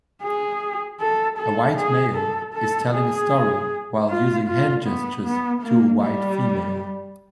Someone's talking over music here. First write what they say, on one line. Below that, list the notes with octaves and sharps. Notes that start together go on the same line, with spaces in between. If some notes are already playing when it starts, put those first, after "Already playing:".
A white male is telling a story while using hand gestures to a white female.
G#4
A4
A4
G#4
A4
A4
G#4
F4
F4
B3
B3
A#3
G3